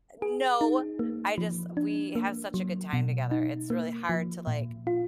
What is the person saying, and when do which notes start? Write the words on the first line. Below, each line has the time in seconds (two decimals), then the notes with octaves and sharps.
Eh, no, I just we have such a good time together, it's really hard to, like,
0.22 G#4
0.61 D#4
0.99 A#3
1.38 F3
1.77 D4
2.15 A#3
2.54 F#3
2.93 B2
3.31 D#4
3.70 A#3
4.09 F3
4.47 A#2
4.87 F4